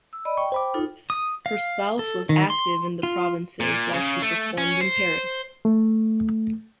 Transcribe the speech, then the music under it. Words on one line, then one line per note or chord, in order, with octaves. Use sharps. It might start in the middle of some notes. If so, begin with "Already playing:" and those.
Her spouse was active in the provinces while she performed in Paris.
E6
D5 D#5 B5
G5 C#6
C5 B5 D6
D#4 F4 A4
D#6
F5
A4
D#3
C6
F4
A#2
C#3
A3
C#4
C5
A3